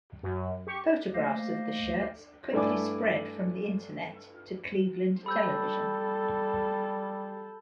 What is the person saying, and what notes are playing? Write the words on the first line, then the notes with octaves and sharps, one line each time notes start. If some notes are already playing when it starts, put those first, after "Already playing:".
Photographs of the shirts quickly spread from the Internet to Cleveland television.
F#2
G4 C#6
A3 A#3 G4 C5 D#5 F5
G2 A3 E4 D5 G#5 D6
G3 A4 B5 E6 G6